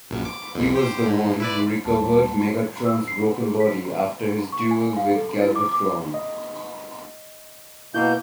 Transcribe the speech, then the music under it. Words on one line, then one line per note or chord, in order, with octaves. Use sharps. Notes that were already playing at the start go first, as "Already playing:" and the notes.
He was the one who recovered Megatron's broken body after his duel with Galvatron.
A#1 F#2
D6
C2 F2
G4 C5
A2
E4 B4 D5
D#2 G3 A3 A5
E6
C7
F#5
G#4
B6
C#6
G#5
F5
A4
E4
D6
D6
D#5
B2 A#3 E4 G6